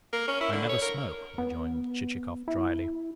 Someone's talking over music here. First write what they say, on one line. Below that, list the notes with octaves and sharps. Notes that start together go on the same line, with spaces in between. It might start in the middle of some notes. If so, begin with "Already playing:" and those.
"I never smoke," rejoined Chichikov drily.
A#3
C#4
E4
D3
C#5
A#4
B3
E4